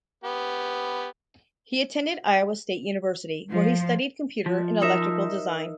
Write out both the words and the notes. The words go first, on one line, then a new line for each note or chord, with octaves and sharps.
He attended Iowa State University where he studied computer and electrical design.
B3 G4
F3
F3
D#4 A#4 E5